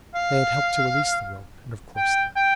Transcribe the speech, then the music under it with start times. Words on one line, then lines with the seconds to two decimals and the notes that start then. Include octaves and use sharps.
They had helped to release the rope, and of course not.
0.15 F5
1.97 G5
2.36 G5